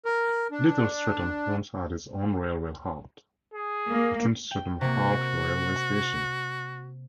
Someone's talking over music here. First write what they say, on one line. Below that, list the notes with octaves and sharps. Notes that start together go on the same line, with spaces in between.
Little Stretton once had its own railway halt: Little Stretton Halt railway station.
A#4
D4
G#4
A#3
G5
C3 A#3 F#4